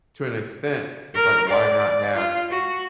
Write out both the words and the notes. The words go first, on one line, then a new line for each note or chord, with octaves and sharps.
to an extent, it's like, why not have
A#4
D5
F4
F#4